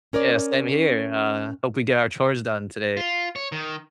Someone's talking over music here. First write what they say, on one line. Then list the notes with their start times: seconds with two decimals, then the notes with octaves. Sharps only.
Yeah, same here, uh, hope we get our chores done today.
0.13 C#4 A#4 C#5 D5
2.97 F4
3.36 C#5
3.52 D#3